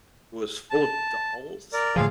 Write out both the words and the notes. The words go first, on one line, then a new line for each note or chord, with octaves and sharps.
was full of dolls.
A5
A#4 D5
A2 D3 F3 F4 G#4 F5